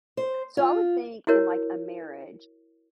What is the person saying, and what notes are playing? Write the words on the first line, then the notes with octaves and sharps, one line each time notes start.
So, I would think in like a marriage
C5
F4
E4 F#4 A#4 C#5